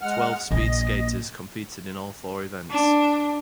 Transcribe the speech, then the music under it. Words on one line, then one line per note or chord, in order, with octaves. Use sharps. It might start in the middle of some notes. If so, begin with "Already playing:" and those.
Twelve speed skaters competed in all four events.
G#3 F#5 F6
A#1 A#2 D#5
D4